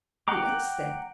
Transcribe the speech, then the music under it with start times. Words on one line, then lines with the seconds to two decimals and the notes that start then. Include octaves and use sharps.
"Who else, then?"
0.28 F#5 G5 A#5 D6